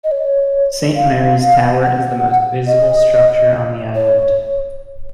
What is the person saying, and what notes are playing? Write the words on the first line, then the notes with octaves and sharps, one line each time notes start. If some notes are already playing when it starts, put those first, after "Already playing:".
Saint Mary's Tower is the most visible structure on the island.
D#5
C#5
F5
F#5
D#5
C#5